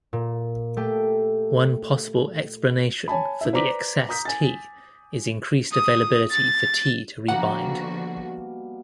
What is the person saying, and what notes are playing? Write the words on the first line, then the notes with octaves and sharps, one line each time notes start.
One possible explanation for the excess T is increased availability for T to rebind.
A#2
A3 G4 G5
C#5 G#5 A5 B5
E4 E5
B4 C5 D5 A#5 D6 B6
A#5 D#6 G6 B6
G#5 A6
D#6
A6
B2 D3 F3 G3 A#3 F#4 F#5